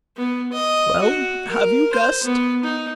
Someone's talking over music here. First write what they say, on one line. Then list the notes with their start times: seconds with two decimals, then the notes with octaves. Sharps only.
"Well, have you guessed?"
0.16 B3
0.52 D#5
1.02 F#4
1.50 A#4
1.93 C5
2.23 B3
2.64 D#4